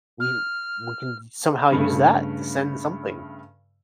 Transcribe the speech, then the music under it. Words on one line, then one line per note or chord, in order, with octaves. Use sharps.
we we can somehow use that to send something?
F6
G2 C#3 A3